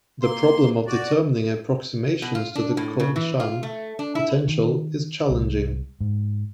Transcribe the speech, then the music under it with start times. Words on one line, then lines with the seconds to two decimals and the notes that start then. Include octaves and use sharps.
The problem of determining approximations to the Kohn-Sham potential is challenging.
0.22 A#3 C6
0.87 F#4 D5
2.22 B2
2.35 F4
2.55 D4
2.77 A2
3.00 C#3
3.16 E3
3.40 F4
3.63 A3
3.99 D4
4.15 E4
4.48 D#3
5.30 C2
6.01 G#2